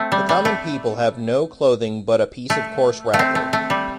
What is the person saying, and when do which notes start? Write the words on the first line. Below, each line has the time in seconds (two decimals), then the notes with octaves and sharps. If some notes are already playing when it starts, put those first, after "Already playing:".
The common people have no clothing but a piece of coarse wrapper.
Already playing: A3 C4
0.12 G3
0.29 G3
0.45 A3
2.50 A3
3.14 A3
3.19 C4
3.35 A3
3.53 A3
3.70 G3